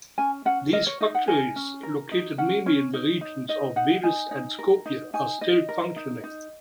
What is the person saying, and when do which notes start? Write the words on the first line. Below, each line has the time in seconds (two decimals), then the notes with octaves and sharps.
These factories, located mainly in the regions of Veles and Skopje are still functioning.
0.18 C#4 G#5
0.45 C#4 F#5
0.73 A#4 D#5
0.87 C#5
1.01 D#4 D#5
1.15 F#5
1.28 A#4 G#5
1.56 C#4
1.83 A#4
2.11 D#4
2.38 C#4 F#5
2.66 C#4 C#5
2.94 D#4
3.21 D#4
3.49 D#4 D#5
3.76 D#4 F#5
4.03 D#4 G#5
4.31 D#4
4.59 A#4
4.86 D#4
5.14 D#4 G#5
5.41 D#4 D#5
5.69 A#4
5.96 D#4
6.24 D#4